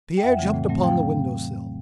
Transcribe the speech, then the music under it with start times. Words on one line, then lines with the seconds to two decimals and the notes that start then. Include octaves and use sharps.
Pierre jumped upon the window sill.
0.17 G5
0.23 F2 E5 F#5
0.39 C#3 E3 A3 C4
0.54 A2
0.68 F#3 A3 C4
0.83 F5 G5